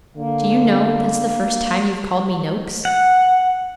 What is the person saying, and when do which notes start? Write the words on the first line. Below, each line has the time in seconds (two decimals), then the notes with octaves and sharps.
'Do you know, that's the first time you've called me "Noakes"?'
0.17 D3 A#3
2.85 F#5